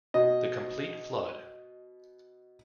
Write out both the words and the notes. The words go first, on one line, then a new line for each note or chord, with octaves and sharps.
The complete Flood!
B2 D#5